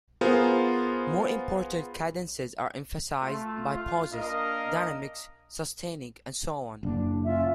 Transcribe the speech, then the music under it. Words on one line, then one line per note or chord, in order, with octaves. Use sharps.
More important cadences are emphasized by pauses, dynamics, sustaining and so on.
B3 F4 G#4 A#4 C5
A3 F4
F4
A#3 D4 A#4 D#5 F5 D#6
F#1 D4
C#4 F4 E5